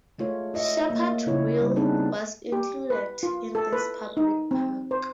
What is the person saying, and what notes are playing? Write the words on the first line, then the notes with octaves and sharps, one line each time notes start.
Shepherd Wheel was included in this public park.
G#3 A3 F4 C#5
F4 D#5 E5
A#3
C#3 E4 F4 C#5
G3
B3 C4 D4 D#4 G#4 B4
G4
B4
F4
A4
B4
D#4
C4
C5